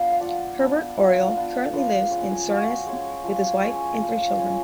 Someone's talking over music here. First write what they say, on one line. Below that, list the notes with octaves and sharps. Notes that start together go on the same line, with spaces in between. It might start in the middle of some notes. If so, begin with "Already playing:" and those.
Hubert Auriol currently lives in Suresnes with his wife and three children.
Already playing: B3 D4 F4
F5
F3 D5 F#5
B3 D4 F4
F3
B3 D4 F4
F3 B4 D5
G#3 C#4
F3 F#4
G#3 C#4
F3
G#3 C#4
F3
G#3 C#4